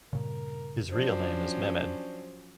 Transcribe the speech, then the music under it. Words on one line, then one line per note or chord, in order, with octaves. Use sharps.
His real name is Mehmed.
G2 A#2 C#3 A#4
F3 F#3 C#4 D4 C5